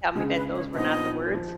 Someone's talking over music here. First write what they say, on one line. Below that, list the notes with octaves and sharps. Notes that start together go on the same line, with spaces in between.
tell me that those were not the words.
C#2 C#3 G#3 G#4
B4
C#5
A#1 A#2 F3 B3 D#4 D#5
F3